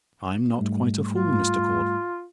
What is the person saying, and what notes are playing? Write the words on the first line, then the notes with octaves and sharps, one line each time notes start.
I'm not quite a fool, Mr. Caudle.
G#2 G3 A3
F4